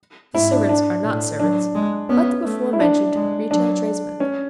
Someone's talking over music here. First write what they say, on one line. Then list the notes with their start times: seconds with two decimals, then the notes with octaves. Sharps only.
The servants are not servants, but the before-mentioned retail tradesmen.
0.34 G#2 E4
0.52 D4
0.69 D4
1.05 A2
1.39 F#3 D4
1.75 G#3
2.09 B3 C#4
2.44 A3
2.73 E4
2.80 D4
3.15 G#3
3.51 F#3 D4
4.20 C#4